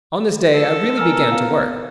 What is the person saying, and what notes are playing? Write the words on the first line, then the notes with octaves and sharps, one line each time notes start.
On this day I really began to work.
A4
B3 A#4 G#5 E6 F6
F5